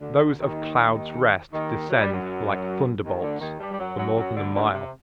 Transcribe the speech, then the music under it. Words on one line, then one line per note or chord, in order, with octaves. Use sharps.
Those of Clouds' Rest descend like thunderbolts for more than a mile.
D2 D3
D#2 D#3
D#2 D#3
F#3
G3
F#2 F#3
D#2 D#3
D2 D3
D#2 D#3
G2 G3
G3
F#2 F#3
F#2 F#3
F#2 F#3
D2 D3
D2 D3
C3